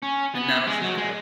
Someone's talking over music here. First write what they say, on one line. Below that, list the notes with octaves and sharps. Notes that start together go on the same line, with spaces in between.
and now she's kind of
C#4
B3
G#3
F#3
G#3